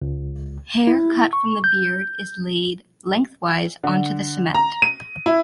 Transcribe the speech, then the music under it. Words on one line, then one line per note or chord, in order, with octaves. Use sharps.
Hair cut from the beard is laid lengthwise onto the cement.
C#2
E4
C#6
G6
D3
A#5
D#7
E4